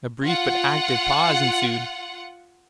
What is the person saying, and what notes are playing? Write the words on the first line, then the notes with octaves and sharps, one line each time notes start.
A brief but active pause ensued.
F4 F#5